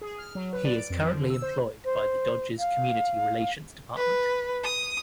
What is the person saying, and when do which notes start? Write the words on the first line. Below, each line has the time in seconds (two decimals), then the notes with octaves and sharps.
He is currently employed by the Dodgers Community Relations Department.
0.01 G#4
0.18 F6
0.35 F#3
0.53 B4
0.65 D5
0.78 D7
0.90 F2
1.02 F3
1.14 D3
1.30 E6
1.42 C5
1.85 C5
2.59 F5
3.98 B4
4.64 D#6